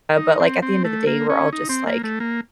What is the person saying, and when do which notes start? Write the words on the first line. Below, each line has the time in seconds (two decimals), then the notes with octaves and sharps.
but, like, at the end of the day, we're all just, like,
0.17 D#4
0.40 C4
0.62 C4
0.85 A3
1.07 A#3
1.30 C#4
1.53 D#4
1.69 C4
1.87 A#3
2.04 A3
2.20 A#3